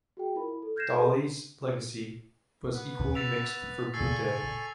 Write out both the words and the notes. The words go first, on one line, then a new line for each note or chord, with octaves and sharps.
Daly's legacy was equally mixed for Butte.
F#4 G#4 G5
E4 F4 A#4 B5
E4
A4
F6 G6 G#6 A#6 C7 E7
G#4 A4 B4 C5 C6
B3 B4
E6 A6 B6 F7
A#2 C#3 A4 G#5 C#6 E6 A6 C7